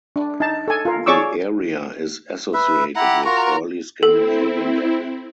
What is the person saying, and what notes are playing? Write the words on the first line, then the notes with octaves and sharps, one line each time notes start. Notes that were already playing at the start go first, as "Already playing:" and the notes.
The area is associated with Early Scandinavian Dublin.
D4
D#4 A5
A4 G#5
F4 A#4
G#4 C#5 D5 C#6 D6 E6
B4 E5
E4 G4 F#5 A#5
F4 F#4 A#4 A#5 C#6
C4 E4 A4